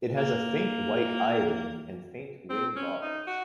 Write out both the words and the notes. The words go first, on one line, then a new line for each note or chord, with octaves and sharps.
It has a faint white eye ring and faint wing bars.
A#3
C4
C#4
D#4
F#4